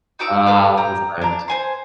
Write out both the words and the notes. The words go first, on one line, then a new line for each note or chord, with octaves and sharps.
Ah, that's nice.
D#4 F#4 D6 E6
A4 B4 F5 F#5
G4 A#5
D4 A#5
C5 G#5 C6